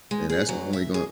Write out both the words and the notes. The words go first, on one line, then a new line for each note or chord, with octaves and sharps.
And that's only gonn
G#3
G#4
F#3
E5
G#4